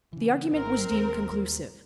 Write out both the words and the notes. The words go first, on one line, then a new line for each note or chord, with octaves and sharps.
The argument was deemed conclusive.
C#3 E3
G#1 C4 A#4
D#2 A#3